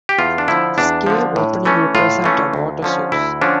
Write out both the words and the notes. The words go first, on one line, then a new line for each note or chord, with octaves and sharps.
This cave opening represents a water source.
G4
E2 F4
D4
D3 F3 E4
E2 D4
D3 F3
A2
E3 A3 C#4
A2 F4
E3 A3 C#4
D2
D3 F3 C#4
D2 E4
D3 F3 C#4 D4